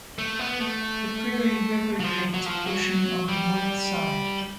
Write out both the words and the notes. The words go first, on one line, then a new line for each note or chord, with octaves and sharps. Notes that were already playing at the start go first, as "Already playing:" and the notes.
The Prairie River drains a portion on the north side.
A3
B3
A3
F#3
F3
F#3
F3
F#3
G3